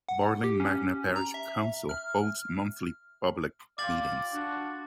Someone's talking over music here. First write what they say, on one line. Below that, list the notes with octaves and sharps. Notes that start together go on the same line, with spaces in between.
Barling Magna Parish Council holds monthly public meetings.
F#5
G4
C#4
A#5
E5
F6
F4 G4 D5 F5 D6 A6 F#7
D4 F#4